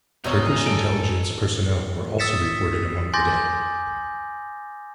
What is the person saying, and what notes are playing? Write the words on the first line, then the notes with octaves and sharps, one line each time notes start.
Turkish intelligence personnel were also reported among the dead.
E1 C3 D#4 G#4 C#5 D#5
G3 A4 D7
D#6 E6 A6 B6 C#7 E7
G#5 C6 D6 G6 A6 A#6